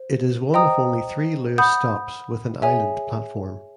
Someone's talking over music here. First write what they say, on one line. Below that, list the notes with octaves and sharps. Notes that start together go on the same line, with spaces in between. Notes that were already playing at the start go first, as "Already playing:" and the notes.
It is one of only three Luas stops with an island platform.
Already playing: C5
C5 D#5 G5 A#5 D#6
F#5 B5 D#6 G6
G#4 C#5 E5 G#5